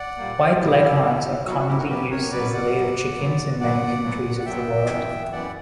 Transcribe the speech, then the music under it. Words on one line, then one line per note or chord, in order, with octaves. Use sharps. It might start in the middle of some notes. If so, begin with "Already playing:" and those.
White Leghorns are commonly used as layer chickens in many countries of the world.
Already playing: D5 F#5
A#2 G3 A#3
A#2 G3 A#3 E4 G4
A#2 G3 A#3
B2 F#3 B3 F#4
E4
F#4
E4 G4
F#4 A#4
B2 F#3 B3 G4 B4
A#4 C#5
B2 F#3 B3 B4 D5
D5 F#5
B2 F#3 B3
A#2 F#3 B3
A#2 F#3 B3 D5 F#5
A#2 F#3 B3
F#5
A#2 F#3 B3 E5 G5
F#2 E3 B3
F#2 E3 B3 D5 F#5